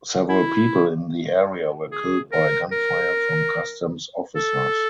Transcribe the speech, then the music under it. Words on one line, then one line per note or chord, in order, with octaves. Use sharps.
Several people in the area were killed by gunfire from customs officers.
E4
G#4
A#4
A#4
A4